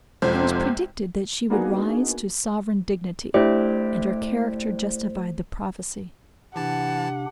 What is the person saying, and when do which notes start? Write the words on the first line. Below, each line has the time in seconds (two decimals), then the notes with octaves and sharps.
It was predicted that she would rise to sovereign dignity; and her character justified the prophecy.
0.22 G#1 F2 C3 C5
1.50 A#3 B3 D4 D#4 F#4 G#4
3.34 A3 D4 E4 G4 C5
6.56 C3 E3 D4 G4 F#5 A5